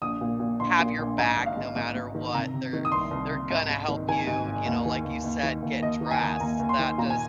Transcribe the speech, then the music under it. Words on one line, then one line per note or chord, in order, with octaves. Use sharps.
have your back no matter what, they're they're gonna help you, you know, like you said, get dressed, that just
A#1 D#6
A#2
A#2
A#1 C6
A#2
A#1
G#2 A#5
G#1
F5
G#2
G#2
G#2
D#3
C3 A#5
C3
D#3
D#6
C2 C6
C2
C3
G#2
G#2
D#3
D#3 G#5
G#2
G#1
D#2
D#3
D#2
D#2
D#3
D#2
D#2 D#5
D#3
A#5
G#5
D#2
D#2 A#5
D#2
C6
D#3
A#2 A#5
G#5